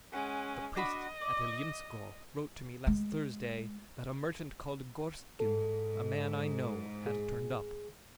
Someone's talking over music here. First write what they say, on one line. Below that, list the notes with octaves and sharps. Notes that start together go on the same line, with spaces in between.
The priest at Ilyinskoe wrote to me last Thursday that a merchant called Gorstkin, a man I know, had turned up.
G#3 C#4 F#5
D4 F#4 D#5 B5
D5
G#3
G#2 A4
G#4